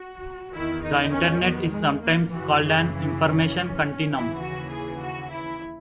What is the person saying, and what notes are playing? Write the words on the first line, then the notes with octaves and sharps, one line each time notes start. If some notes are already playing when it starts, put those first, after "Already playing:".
The Internet is sometimes called an 'Information continuum'.
Already playing: F#4
E2 D#3 E4
D#4
C#4
B3
G#3
A#3
F#2 C#3 E3 F#4
G#4
E4
C#4
D#2 C#3 E3 E4
F#4
G#4
F#4
E4